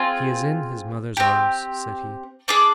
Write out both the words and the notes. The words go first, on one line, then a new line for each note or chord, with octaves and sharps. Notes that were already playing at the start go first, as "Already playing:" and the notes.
'He is in his mother's arms,' said he.
Already playing: C4 F4 G#4 C6
C4 G4
D4 G#4 D6